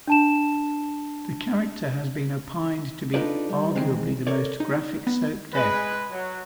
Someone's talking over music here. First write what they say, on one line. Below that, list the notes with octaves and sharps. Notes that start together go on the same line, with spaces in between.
The character has been opined to be "arguably the most graphic soap death".
D4 A5 E7
D4 D#4 F4 A4 B4 D5
G3
E2 D#3 G#3 C4
A4 A#4 C#5 D5
D#4
B3
G#3 B4
F#3